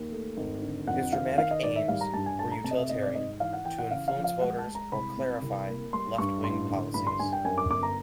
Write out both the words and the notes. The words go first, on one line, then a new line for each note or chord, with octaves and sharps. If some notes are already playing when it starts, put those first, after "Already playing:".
His dramatic aims were utilitarian - to influence voters or clarify left-wing policies.
Already playing: D#2
A3
G#1
D3
F2 F#5
D#3 F5
D#3 F5
D#5
G#2 D5
E5
G3 F5
A#5
G2 A5
G#5
A3 A5
A#5
C3 A5
D#5
E5
G#2 D#5
D5
G#2 D#5
E3 F5
F#5
E3 G5
F#5
C#3 F5
F5
F3
F5
G#3 F#5
A5
G#3
A#5
C2 B5
C3
C2
A#3
G3 C6
G2 C#6
A1 C6
D3
G2 B5
C6
G2 G#5
G5
F#2 G#5
D6
G1 D6
A#5